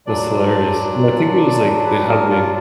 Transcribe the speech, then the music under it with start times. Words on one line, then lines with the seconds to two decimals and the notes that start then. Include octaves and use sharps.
That's hilarious. Yeah, I think it was like they how they
0.06 A#2 F#3 D4 D5
1.86 B4
2.08 A#4
2.30 F4